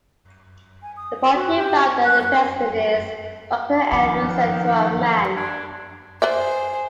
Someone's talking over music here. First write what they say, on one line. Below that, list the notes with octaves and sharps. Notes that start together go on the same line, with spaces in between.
The party founder and president is Doctor N. Sethuraman.
G#5
D#6
F#4
G4
F#6
F#5
G#5
D#3 F3 D6
F#5
D4 G#6
G#4 B4 C5 D5 E5